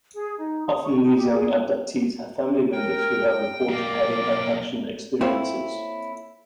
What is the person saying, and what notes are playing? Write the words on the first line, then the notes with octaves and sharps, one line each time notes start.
Often these young abductees have family members who have reported having abduction experiences.
G#4
D#4
D#6
C#6
D#4
G4
G#4
A#4 G5
B1 A#3 D5
A#3 C4 E4 A4 C5 C#5